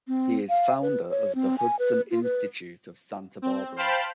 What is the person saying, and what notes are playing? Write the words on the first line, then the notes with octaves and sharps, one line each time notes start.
He is founder of The Hudson Institute of Santa Barbara.
C4
F5
B4
C#5
C4
G#5
B4
F4
B4
C4
C5 F5 G5 A5 B5